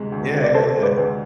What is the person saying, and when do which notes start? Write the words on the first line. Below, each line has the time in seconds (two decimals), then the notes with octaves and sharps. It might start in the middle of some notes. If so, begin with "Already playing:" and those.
Yeah, yeah, yeah.
Already playing: D2 C3 G#3
0.12 D2
0.33 C4
0.44 D5
0.54 C3 A4 C5
0.76 G#3
0.83 B4 D5
0.97 D2